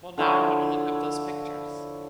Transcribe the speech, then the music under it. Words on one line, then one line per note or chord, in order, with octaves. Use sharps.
Well, now I wanna look up those pictures.
D3 F3 E4 C#5